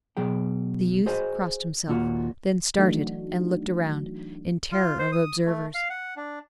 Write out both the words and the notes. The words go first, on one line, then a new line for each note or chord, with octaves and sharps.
The youth crossed himself, then started and looked round, in terror of observers.
B2 F#3 G#4 G5
F#4 G#4 C5 D#5 G5 G#5
D#2 A#2 F4 F#4
E3 F#3 A3 D4 D#4 F#4
F4
C5
D#6
A3
F5
F#5
D4